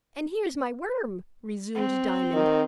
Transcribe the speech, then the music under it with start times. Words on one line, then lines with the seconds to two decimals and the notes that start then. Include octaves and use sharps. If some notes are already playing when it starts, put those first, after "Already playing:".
"And here's my worm," resumed Diamond.
1.75 C4
2.33 D#3